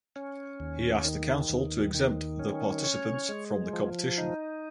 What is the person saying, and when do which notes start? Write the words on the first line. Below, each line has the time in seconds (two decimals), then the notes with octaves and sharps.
He asked the council to exempt the participants from the competition.
0.16 C#4
0.60 D#2
1.05 D#3
1.50 D#2
1.94 D#3
2.39 C#4
2.84 C#5
3.29 G#3
3.73 F3
4.18 D#4